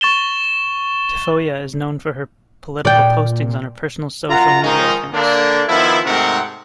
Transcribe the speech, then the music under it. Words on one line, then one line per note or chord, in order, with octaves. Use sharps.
Tafoya is known for her political postings on her personal social media accounts.
C#6 A6 E7 G7
A#2 D5 G5
F#2 F4 F#5 A#5
D#3 F3 G#3 C#4 D#4
D3 A#3 D4
D#3 F3 B3 E4
G#2 C3 A3 C4 A#4 F#5